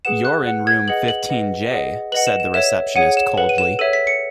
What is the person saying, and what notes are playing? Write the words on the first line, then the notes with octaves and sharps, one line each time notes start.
You're in room fifteen J, said the receptionist coldly.
G#4 B4 F#5 E7
F#6
B4 F#5
G#6
G#4 B4 D#5 F#5 F#7
F#7
B4 D#5 F#5
G#4 D#5 F#5
B4 D#5 F#5 F#7
E7
E7
A4 C#5 E5 E7
G#4 C#5 F#5 D#7
E7
B4 F#5 F#7
D#7
E7
A4 C#5 E5 D#7
B6
C#7